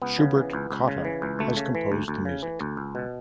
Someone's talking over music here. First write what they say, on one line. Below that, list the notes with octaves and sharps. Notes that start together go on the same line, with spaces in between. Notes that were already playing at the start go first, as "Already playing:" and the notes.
Schubert Cotta has composed the music.
C#2 B3
C#3
E3
C#2
C#2
C#3
E3
C#2
D2 A3
C#3
E3
D2
D2
C#3
E3
D2
C#2
B2